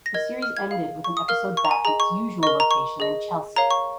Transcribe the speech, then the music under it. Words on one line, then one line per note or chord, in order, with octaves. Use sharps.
The series ended with an episode back in its usual location in Chelsea.
A#6
A#4 D#5 G#6
F6
G#6
G#4 F5
C#6
D#6
A#4 F5 F6
C#6
A#5
G#5
G#4 D#5 A#5
C#6
A#4 D#5 C#6
A#5
C#6
G#4 D#5
A#4 C#5 F5 A#5
C#6